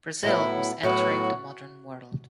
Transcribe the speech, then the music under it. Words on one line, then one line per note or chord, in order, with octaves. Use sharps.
Brazil was entering the modern world.
A2 F#3 B3 E4
A2 F#3 B3 F#4